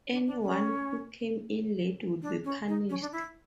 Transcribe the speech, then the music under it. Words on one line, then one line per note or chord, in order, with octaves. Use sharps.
Anyone who came in late would be punished.
D4
D4
C#4
D4
C#4
D#4
C#4
D4
E4